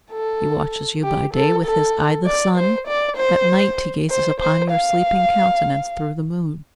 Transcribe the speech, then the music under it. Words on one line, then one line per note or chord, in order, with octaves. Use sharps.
He watches you by day with his eye, the sun; at night, he gazes upon your sleeping countenance through the moon.
A4
G4
A4
A4
D5
C5
D5
C5
C5
C5
F5